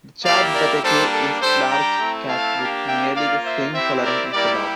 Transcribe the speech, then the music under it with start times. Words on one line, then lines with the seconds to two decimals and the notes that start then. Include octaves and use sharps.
The "chat Bateke" is large cat with nearly the same coloring as the dog.
0.25 A#3 E4 G4 D5 F5
0.54 A#4 D5
0.83 G3 A#3 D4 A4 C5
1.12 A4
1.41 G3 D4 G4 A4 C5
1.70 G5 A#5
2.00 A3 C4 E4
2.29 F5 A5
2.58 A#3 D4 G4
2.87 E5 G5
3.16 A#3 F4 D5 F5
3.45 C5 E5
3.74 C4 E4 G4 C5 E5
4.03 A#4 D5
4.32 G3 A#3 E4 G4 A#4 D5